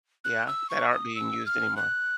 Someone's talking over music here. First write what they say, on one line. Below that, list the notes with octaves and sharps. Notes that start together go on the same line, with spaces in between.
Yeah, that aren't being used anymore.
F#6
E6
C#6
D#6
E6
F6
F#6